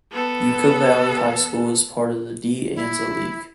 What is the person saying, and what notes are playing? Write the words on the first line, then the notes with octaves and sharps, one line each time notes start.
Yucca Valley High School is part of the De Anza League.
B3 A4
E4